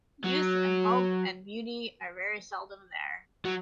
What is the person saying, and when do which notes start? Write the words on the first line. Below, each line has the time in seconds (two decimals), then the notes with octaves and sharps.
Youth, and hope, and beauty are very seldom there.
0.24 F#3
3.45 F#3